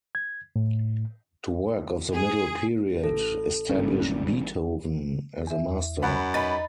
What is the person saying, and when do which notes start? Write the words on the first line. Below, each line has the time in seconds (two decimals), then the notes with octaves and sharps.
The work of the middle period established Beethoven as a master.
0.15 G#6
0.56 A2
2.13 G#4
3.04 A1 A4
3.69 G#1 C#3 E3 G3 A#3 C#4
5.47 E2 E5
6.02 F#2 F#5 B5
6.34 D#4 B4 B5 A6